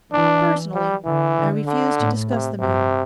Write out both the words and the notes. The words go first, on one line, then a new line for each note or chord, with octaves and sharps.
Personally, I refuse to discuss the matter.
E3 D4
G3
D3 E3
D3
D3
A2
C3
G2 C3